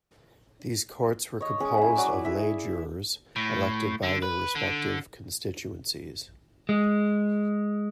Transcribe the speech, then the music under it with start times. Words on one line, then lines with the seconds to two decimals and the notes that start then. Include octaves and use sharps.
These courts were composed of lay jurors elected by their respective constituencies.
1.40 C#5 D#5
1.60 G#3 C#4 G#4
1.78 E4 E5
1.96 F#3 D5 D6
2.25 G#4 E5
3.36 A2
4.03 D3
4.22 B4
4.55 D3
6.69 G#3